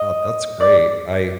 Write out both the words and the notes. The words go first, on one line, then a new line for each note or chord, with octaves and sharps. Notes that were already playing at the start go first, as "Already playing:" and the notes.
Oh, that's great. I
Already playing: D#5
D5